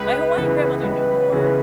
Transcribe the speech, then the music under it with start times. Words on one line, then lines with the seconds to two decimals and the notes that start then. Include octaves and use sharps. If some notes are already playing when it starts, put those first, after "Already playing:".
My Hawaiian grandmother knew more
Already playing: C#2 B4
0.37 C#3 E3 B3
0.83 C#2
1.32 C#3 E3 B3